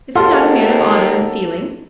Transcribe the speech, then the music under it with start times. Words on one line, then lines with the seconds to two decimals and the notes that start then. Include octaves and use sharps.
Is he not a man of honour and feeling?
0.16 D#2 F4 G#4 A4 F5 F#5